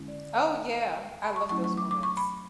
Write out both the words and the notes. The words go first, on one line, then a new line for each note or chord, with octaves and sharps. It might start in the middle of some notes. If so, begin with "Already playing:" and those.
Oh yeah, I love those moments.
Already playing: D3 G#3 C#4 E4
D5
B5
C#6
F#3 A3 C#4 E4 C#6
C#6
D6
D6
C#6
B5